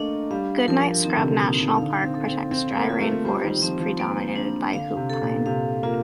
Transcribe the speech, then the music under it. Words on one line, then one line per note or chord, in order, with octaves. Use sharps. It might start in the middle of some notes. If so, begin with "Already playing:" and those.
Goodnight Scrub National Park protects dry rainforest predominated by hoop pine.
Already playing: A3 A#3 D4 A4 D#5
G3 F5
F3 A#4
D#3 C4
D3
C3
A#2 D#4
C3
D3 F5
C4
A4
C4
C4 F5
A#3
F4
A3
G3 C5
D#3
F3 C4
F3
A#3
D4
D3 F5
C3
A4
A#2
C3 F5
A#3 F4